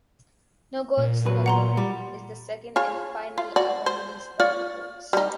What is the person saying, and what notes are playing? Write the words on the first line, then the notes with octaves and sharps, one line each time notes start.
"No Goats, No Glory" is the second and final album released by The Goats.
A#2
E2 F#3 B4
F#5 A#5 C6
G3
F4 G#4 C#5
F4
F#4 D5
C5
F4 C#5 D5
G3 D#4